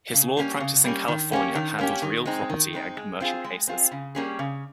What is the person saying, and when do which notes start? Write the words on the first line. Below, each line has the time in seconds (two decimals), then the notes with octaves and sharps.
His law practice in California handled real property and commercial cases.
0.13 C#3
0.37 G3 A#3 C#4
0.60 C#3
0.84 G3 A#3 C#4
1.08 D#3
1.32 A#3 C#4 G4
1.55 D#3
1.78 A#3 C#4 G4
2.02 D#3
2.26 G#3 C4 D#4
2.50 D#3
2.73 G#3 C4 D#4
2.97 G#3
3.20 C4 F4 G#4
3.44 G#3
3.68 C4 F4 G#4
3.92 C#3
4.15 G3 A#3 C#4 G#4
4.39 C#3